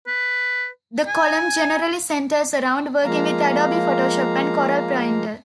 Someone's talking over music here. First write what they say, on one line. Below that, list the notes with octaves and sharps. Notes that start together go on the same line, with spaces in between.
The column generally centers around working with Adobe Photoshop and Corel Painter.
B4
G#5
F3 G#3 A#3 F5 A#5